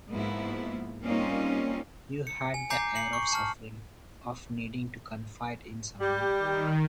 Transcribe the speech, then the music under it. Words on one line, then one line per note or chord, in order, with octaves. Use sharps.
You had the air of suffering, of needing to confide in someone.
G#2 F3 A#3 B3 E4
G3 A#3 C4 C#4 D#4 F4
C#7
G#5
G#5 A#5 D6 G6 C7
C7 C#7 F#7
C#6
A5 F6
G3 G4
D#3